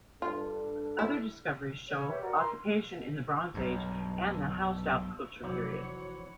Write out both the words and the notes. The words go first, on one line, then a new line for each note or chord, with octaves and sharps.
Other discoveries show occupation in the Bronze Age and the Hallstatt Culture period.
G2 D4 F4 A4
E4
C#5
G4 B4 C#5 E5
F#4 A#4 D5
A#4 C6
B1 G2
F1 E3 F#3 C4 C#5 D5 F#5